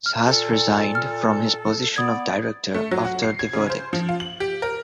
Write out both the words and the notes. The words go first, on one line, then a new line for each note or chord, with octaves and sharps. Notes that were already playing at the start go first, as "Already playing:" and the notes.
Sas resigned from his position of director after the verdict.
F6
A#2 A4
F6
B3 D5 D#6 G#6
A3
F#3
F#4
C7
G#6
C#3
C5
F3
F4
F#7
G4
A#4